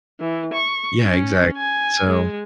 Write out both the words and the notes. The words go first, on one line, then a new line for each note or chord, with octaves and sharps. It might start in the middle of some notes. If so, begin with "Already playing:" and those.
Yeah. Exact so,
E3
C#6
C#4
G#5
G#3